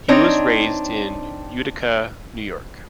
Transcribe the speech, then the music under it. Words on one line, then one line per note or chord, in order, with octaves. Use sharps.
He was raised in Utica, New York.
C4 D4 D#4 C#5